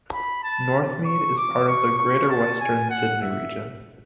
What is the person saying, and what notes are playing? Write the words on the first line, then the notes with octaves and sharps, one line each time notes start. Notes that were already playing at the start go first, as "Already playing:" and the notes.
Northmead is part of the Greater Western Sydney region.
B5
A5
C#6
D6
C#6
C#6
A5
G#5
F#5
E5